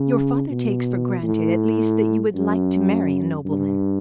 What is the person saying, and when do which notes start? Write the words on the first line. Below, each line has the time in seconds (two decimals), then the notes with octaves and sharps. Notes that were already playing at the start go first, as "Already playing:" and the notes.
"Your father takes for granted at least that you would like to marry a nobleman."
Already playing: C#3
0.50 B2
1.23 A2
2.35 F#2
3.45 G2